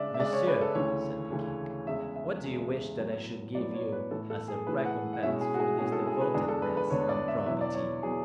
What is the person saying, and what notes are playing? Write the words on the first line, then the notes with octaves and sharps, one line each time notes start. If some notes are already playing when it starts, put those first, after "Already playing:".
"Monsieur," said the king, "what do you wish that I should give you, as a recompense for this devotedness and probity?"
Already playing: C#3 G#3 D4 D5 E5
E5
C#3 G#3 D4 D5
C#5
B4
A4
D2 C#3 E3 A3 C#4 C#5
D2 C#3 E3 A3 C#4
E2 C#3 G#3 E5
E5
E2 C#3 G#3
A2 F#3 B3
A2 F#3 B3 D5
C#5
B4
A2 E3 A3 A4
A4
G#4
A2 E3 A3 B4
F#5
F#5
B2 G#3 C#4 E4 E5
G#4
F#4
G#4
B2 G#3 C#4 E4 G#4
A4
G#4
B4
E2 D3 G#3 D4 G#4
A4
B4
B4
E2 D3 G#3 D4 C#5
D5
E5
E2 B2 F#3 B3 E4 E5
D5
C#5
B2 F#3 B3 E4 G#4